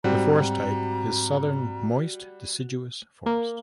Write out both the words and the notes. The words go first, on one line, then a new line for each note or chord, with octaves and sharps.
The forest type is Southern moist deciduous forest.
G#2 G3 C4 F#4 G5 A#5
A#3